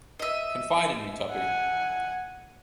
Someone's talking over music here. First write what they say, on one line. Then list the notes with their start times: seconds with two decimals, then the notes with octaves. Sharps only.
Confide in me, Tuppy.
0.19 D#5 E5
1.30 F#5 G#5